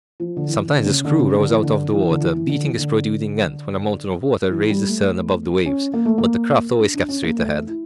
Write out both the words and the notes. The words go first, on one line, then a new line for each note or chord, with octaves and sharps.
Sometimes the screw rose out of the water, beating its protruding end, when a mountain of water raised the stern above the waves; but the craft always kept straight ahead.
F3
D3
E3
D3
D3
C#3
D3
C#3
D3
E3
D3
E3
D3
E3
E3
D3
E3
D3
E3
G3
A3
C#4
A#3
A3
A#3
D4
D4
C#4
A#3
A3
E4